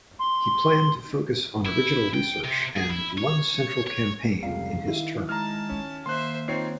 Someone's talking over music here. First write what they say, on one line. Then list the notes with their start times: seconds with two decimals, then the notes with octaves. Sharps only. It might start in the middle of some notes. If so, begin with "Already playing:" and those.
He planned to focus on original research and "one central campaign" in his term.
0.19 C6
1.66 E4
2.14 G5
2.44 C3
2.77 G#4
2.89 E4
3.18 C#5
3.87 C#5
4.43 F1 C#2 G3 F5
4.85 D#3 E4
5.29 G#3 A5 A#5 F6
5.69 C#4
6.06 D#3 A#3 C5 E5 C6 F#6
6.48 C4 D#4 F4 C#5 C7